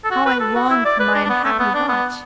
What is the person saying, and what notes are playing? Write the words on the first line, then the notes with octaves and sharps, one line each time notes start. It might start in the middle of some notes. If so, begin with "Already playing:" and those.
How I longed for my unhappy watch!
A4
F#4
B4
A4
F#4
E4
D5
B4
D4
D4
B3
A3
B3
D4
B3